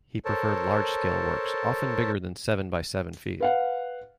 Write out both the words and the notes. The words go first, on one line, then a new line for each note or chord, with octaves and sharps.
He preferred large scale works often bigger than seven by seven feet.
A4 A#4 C5 C#5 A5
B4 F5 F#5